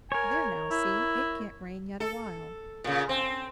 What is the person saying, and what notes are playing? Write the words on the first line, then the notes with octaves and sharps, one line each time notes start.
"There, now, see, it can't rain yet awhile."
A#4 C#5 G#5
E4
A4
A#2 C#3
C4